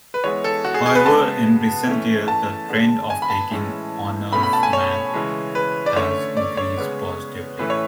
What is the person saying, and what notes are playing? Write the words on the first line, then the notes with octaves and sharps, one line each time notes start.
However, in recent years the trend of taking honours Maths has increased positively.
B4
E3 G#3 B3 C#5
A4
F#4
G#4
G#4
B4
C#3 G#3 B3 A5
E3 A3 C#4
A5
D3 G#3 B3
G#5
B5
A5
A2 E3 G#3 C#4
B2 A3 C#4 B5
B5
A5
G#5
C#5
C#3 E3 G#3
B4
D5
D3 A3 C#4 C#5
D5
C#5
C#3 G#3 B3
A2 E3 A3 C#4 B4
C#5